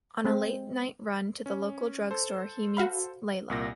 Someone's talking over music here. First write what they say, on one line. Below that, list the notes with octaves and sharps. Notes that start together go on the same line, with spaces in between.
On a late night run to the local drug store he meets Leilah.
G#3 C4
C#4
A4 C5
F#4 F5 B5
C2 A#2 A#6